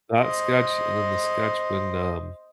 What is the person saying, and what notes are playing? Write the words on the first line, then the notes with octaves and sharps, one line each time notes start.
That sketch and then the sketch when, um,
C5 D#5